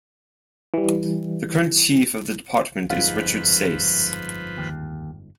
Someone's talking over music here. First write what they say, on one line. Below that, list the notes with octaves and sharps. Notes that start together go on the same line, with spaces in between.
The current Chief of the Department is Richard Sais.
E3 G3
G1 F2 G#2 F3 F4 B4
D#2